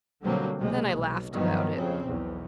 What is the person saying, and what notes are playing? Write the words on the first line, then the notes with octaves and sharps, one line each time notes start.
Then I laughed about it.
B2 D3 F#3 G3 A#3 C4
B1 C3 G#3 A#3
B1
G2 D#3 F3 F#3 B3
F2 C#3 C4
B1 E2